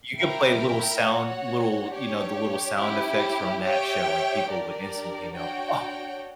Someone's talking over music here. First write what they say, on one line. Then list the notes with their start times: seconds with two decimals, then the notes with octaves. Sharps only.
You could play little sound little, you know, the little sound effects from that show, and people would instantly know, "Oh,
0.20 E4 A#4 E5 G5
1.05 F#4 C#5 F#5
1.90 D4 G4 C#5
2.77 C#4 E4 G4
3.62 G4 C#5 E5 G5
4.48 D4 G4 A#4 D5
5.33 D4 F#4 C#5 G5